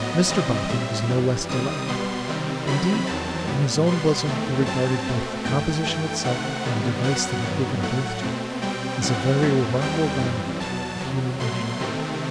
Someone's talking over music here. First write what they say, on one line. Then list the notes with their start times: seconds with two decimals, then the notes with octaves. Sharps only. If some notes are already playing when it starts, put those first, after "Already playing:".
Mr Boffin was no less delighted; indeed, in his own bosom, he regarded both the composition itself and the device that had given birth to it, as a very remarkable monument of human ingenuity.
Already playing: A2 F#3 B3 D#5
0.30 C3 E3 G3 C4 D#5
0.69 A2 G3 C4 E5
1.09 F#2 E3 G3
1.49 C3 D#3 G3 C4 D#6
1.88 B2 G3 B3 C6
2.28 C3 D#3 G3 C4
2.67 C3 D#3 F#3 C4 B5
3.07 E2 D#3 F#3 C4 A5
3.47 A2 G3 B3
3.86 B2 G3 B3 C6
4.26 E2 D#3 A3 C4
4.65 G2 F#3 C4 A5
5.05 B2 A3 C4
5.45 G2 D#3 A3 G5
5.85 G2 E3 A3 G5
6.24 C3 D#3 A3 C4 F#5
6.64 C3 D#3 G3 B3
7.04 F#2 F#3 B3 F#5
7.43 G2 D#3 F#3 B3
7.83 A2 F#3 A3 F#5
8.23 B2 A3 C4
8.62 B2 G3 C4 G5
9.02 F#2 E3 G3 C4 F#5
9.42 F#2 F#3 A3 C4
9.81 E2 D#3 G3 C4 G5
10.21 F#2 E3 G3 C4
10.60 E2 B2 F#3 A5
11.00 E2 C3 F#3
11.40 B2 F#3 A3 C6
11.80 C3 D#3 A3 C4